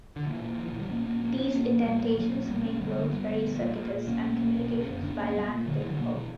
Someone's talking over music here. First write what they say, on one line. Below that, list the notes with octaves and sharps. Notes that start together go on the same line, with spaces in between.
These indentations make roads very circuitous and communications by land difficult.
D3
A#2 E3
A#2
A#1 E3
E3
A#1
E3 G3
A#2 A#3 C#4
A#2 A#3 C#4
A#1 A#3 C#4
A#1 B3 D4
A#2 A#3 C#4
A#1
A#2 G3 B3
A#1
B1 F#3 A#3
A#2
B1 G3 B3
B1 A#3 C#4
G1 G3 B3
D3
G2 G3 B3
G1
A#1
A#2
A#2
A#2
B1 A#3 C#4
B1
B1
B1
C#3
F#1
C#3 B3 D4
F#1 A#3 C#4
A#2 G3 B3
A#2
A#1 D3 F#3
E3
A#2
D3 F#3
B2 F#3 A#3
B2 E3